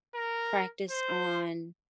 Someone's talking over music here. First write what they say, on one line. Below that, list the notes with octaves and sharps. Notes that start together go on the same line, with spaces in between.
practice on
A#4
C5